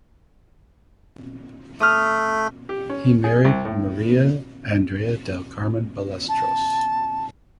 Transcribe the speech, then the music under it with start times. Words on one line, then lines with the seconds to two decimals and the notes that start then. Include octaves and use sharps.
He married Maria Andrea del Carmen Ballesteros.
1.80 A3 D#6 F6
2.69 G4
2.90 C#4
3.24 G#4
3.45 C2
3.65 A2
6.29 A5